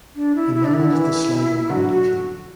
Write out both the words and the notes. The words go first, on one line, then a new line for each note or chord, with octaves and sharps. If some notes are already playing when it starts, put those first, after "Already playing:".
He managed the Sligo county team.
D4
E4
E4
D4
E4
D3
E3
D3 F#3 F#4
F#4